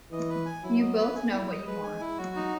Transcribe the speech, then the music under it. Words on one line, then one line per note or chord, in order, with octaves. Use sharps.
You both know what you want.
E3 D#5
B4
G#5
F#3 E4
D#5
B4
G#5
E4
D#5
G#3 B4
G#5
E4
F#3 F#4
D#4